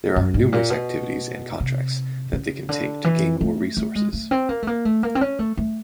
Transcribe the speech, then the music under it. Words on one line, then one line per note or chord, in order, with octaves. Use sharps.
There are numerous activities and contracts that they can take to gain more resources.
F#2
G#2
A#2
B2
C3
C#3
D3
E3
A3
A3
G#3
A3
C4
A#3
A3
A#3
A3
A#3
C4
C#4
A3
A3